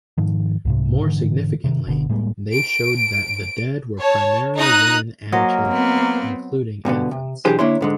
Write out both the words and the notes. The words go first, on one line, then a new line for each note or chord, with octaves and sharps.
More significantly, they showed that the dead were primarily women and children, including infants.
G#2 D#3 F3
C2 G#2 C3
G#2 D3 E3
C3 D#3
F#1 B2 D3
A2 G3 G#3 A#3
D7
C#5 A5
D#4 A#5 D#6 F#6
F#3 A#3 C5 D#5
B3 C4
G2 B2 D3 B3
C3
B1 E3 D4 G4 G#4 C5
D3 A#3 D4 E4 C#5 C6
G#2 D3 G#3